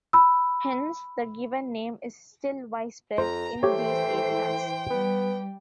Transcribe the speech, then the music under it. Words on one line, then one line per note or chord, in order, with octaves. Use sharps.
Hence the given name is still widespread in these areas.
B5 E6
F2 C5 A#5
E3 A3 G4 C5 C#5 G5
G3 B3